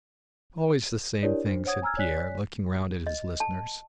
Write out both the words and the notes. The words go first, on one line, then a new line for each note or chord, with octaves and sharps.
"Always the same thing," said Pierre, looking round at his listeners.
D4 E4 G4 A#4 C#5 D5
D4 C5
C5 C#5 F#5 D#6 G#6
G#5 A#5 E6 F6 G#6
C#5 D5 G#5 F#6 B6
D#5
A5